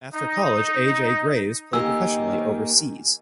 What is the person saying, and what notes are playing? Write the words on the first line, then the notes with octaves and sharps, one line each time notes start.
After college A. J. Graves played professionally overseas.
D#4
D#3 A#3 G4 G#5 E6